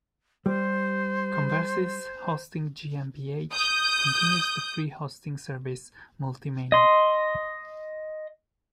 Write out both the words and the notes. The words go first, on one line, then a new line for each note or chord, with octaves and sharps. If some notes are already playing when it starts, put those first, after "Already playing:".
Conversis hosting GmbH continues the free hosting service MultiMania.
G3 C5
D#6 G6
D#5 C6